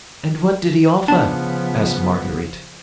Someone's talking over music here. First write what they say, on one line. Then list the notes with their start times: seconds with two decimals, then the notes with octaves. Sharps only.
"And what did he offer?" asked Marguerite.
1.08 C#3 F3 B3 D4 A5